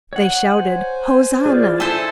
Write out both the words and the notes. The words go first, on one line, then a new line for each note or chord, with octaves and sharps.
They shouted, "Hosanna!"
C#5 F#5
C5 G#5
F4 G#4 D5
E4 A4 C5 E5 G#5 A5